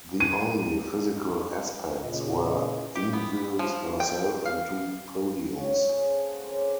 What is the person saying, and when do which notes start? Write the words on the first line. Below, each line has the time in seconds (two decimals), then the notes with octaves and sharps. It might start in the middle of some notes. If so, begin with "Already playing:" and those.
The only physical aspects were Ingvild herself and two podiums.
0.20 D#7
2.03 A#2 C#3 D#5
2.95 G4
3.13 B3
3.59 F3
4.00 G5
4.45 F5
5.56 C#5
5.89 C#4 G#4 C5
6.10 A4 F5 C6
6.28 F#5
6.43 C#3 C4 A#4 C6
6.57 D6